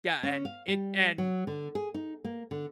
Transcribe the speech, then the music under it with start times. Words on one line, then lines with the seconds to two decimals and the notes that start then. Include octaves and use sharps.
Yeah, and it and
0.23 C#4
0.45 F5
0.68 G3
1.18 F#3
1.47 D3
1.75 G#4
1.94 D#4
2.24 A#3
2.51 D3